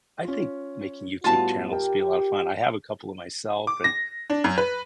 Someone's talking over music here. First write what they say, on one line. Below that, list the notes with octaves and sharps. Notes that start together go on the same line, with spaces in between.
I think making YouTube channels be a lotta fun. I have a couple of myself, and
C#4 F4
A2 G3 B3 F4 F#4 A5
G4 A#4 G5
D6
A#6
D4
F#2
B4